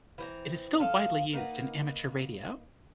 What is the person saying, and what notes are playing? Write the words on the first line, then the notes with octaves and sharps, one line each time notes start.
It is still widely used in amateur radio.
E3 C4 A#5
F3 A4 F5
A#3 D#4 B4 F#5